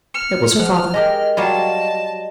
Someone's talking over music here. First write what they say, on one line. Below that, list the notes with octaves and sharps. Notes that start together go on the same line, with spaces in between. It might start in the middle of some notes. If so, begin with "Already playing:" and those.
It was her father.
F6 C#7
F3 F#5
G#3 G4 A#4 D#5
F#3 G3 F4 A5